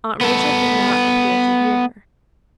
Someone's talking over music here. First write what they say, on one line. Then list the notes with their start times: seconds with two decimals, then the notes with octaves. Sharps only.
Aunt Rachel did not appear to hear her.
0.21 B3 A4